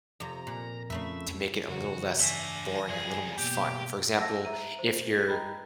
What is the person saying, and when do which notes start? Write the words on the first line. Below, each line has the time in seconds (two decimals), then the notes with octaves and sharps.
to make it a little less boring and a little more fun. For example, if you're
0.20 F2 C3 A#5
0.47 A#2
0.90 F2 C#3 A3 B4 E5
1.68 F2 C#3 E3 F#4
2.20 G2 E3 D4 E5 G#5 C#6 A#6
2.89 C2 G#4 D5
3.38 B2 A#3 B3 G4
4.18 F5 A5 E6 A#6
4.45 E5 A#5 D#7
4.79 C5
5.14 B6
5.28 D#5 G5 A#5 B5